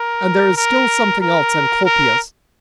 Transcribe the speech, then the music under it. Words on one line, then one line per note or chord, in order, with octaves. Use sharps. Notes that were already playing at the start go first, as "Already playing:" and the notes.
And there is still something else, Encolpius.
Already playing: A#4
A#4
A#4
A#4